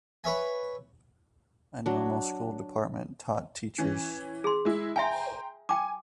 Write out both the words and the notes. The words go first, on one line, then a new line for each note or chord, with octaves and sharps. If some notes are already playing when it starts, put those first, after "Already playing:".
A normal school department taught teachers.
B4 C#5 E5 G#5
F#3 D4
E3 C#4
G#4 C6
G#3 E4
E5 G5 G#5 A#5 C6
G5 G#5 D6